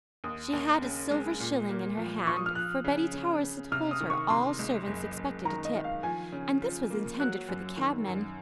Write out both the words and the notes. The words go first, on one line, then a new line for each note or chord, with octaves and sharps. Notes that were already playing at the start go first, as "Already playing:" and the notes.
She had a silver shilling in her hand, for Betty Towers had told her all servants expected a tip, and this was intended for the cabman.
D#2 D#6
D#2
C#3
G#3
A#2
A#3
F3
F3 C#6
D#6
F6
F3 F#6
C#3
C#3
C#3
C3 F6
D#6
D#3
C#6
C3 C6
C#2
F#1
F#1
D#3 A#5
D#5
D#3
F5
F3 G#5
C#3
F3
A#3
F#3 F#6
F#2
D#3
F#2